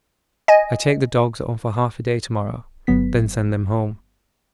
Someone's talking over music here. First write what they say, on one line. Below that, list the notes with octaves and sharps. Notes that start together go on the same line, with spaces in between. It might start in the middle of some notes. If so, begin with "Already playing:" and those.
I take the dogs on for half a day to-morrow, then send them home.
D#5 G#5
G1 F#3 B3 B6